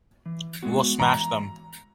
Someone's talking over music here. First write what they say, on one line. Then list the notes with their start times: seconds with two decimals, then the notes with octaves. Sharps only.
We'll smash them.
0.26 E3
0.63 G#3 B3 F#4
0.99 E3 A#5